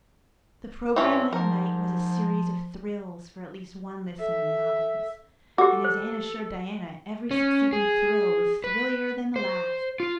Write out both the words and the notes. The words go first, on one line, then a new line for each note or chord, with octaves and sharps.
The program that night was a series of "thrills" for at least one listener in the audience, and, as Anne assured Diana, every succeeding thrill was thrillier than the last.
G2 E3 C4 C#4
G#2 F3 A#4
A4 E5
F#4 G4 A4 D6
C5
C#4
G#4
B4
C5
F4